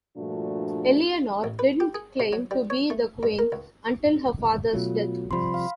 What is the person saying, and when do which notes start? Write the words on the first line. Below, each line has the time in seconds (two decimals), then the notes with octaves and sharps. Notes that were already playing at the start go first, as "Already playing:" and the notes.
Eleanor didn't claim to be the queen until her father's death.
0.16 G2 A#2 F3 A3 D4 F#4
1.44 A1
1.59 B4
1.80 G4
1.95 G#4
2.20 C3
2.33 F#3
2.51 G3
2.70 C#5
2.90 A3
3.23 G2
3.39 A#4
3.52 C#2
4.73 B2 F#3 A3 F4
5.31 C3 F3 G3 B5 C6
5.54 F5